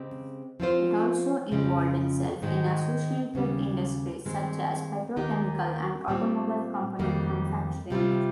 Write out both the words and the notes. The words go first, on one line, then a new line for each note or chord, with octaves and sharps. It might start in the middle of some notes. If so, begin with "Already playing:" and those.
It also involved itself in associated industries such as petrochemicals and automobile component manufacturing.
Already playing: C#3 G#3 C4 G4
F3 C4 F4 C5
F2 C#3 F3 G#3
G#2 D#3 G#3
D#2 C#3 G3
G2 D#3 G#3 C4
D#2 D#3 A#3 D#4 G4
A#2 G3 C4
F2 D#3 G3 A#3
C3 G3 C4 F4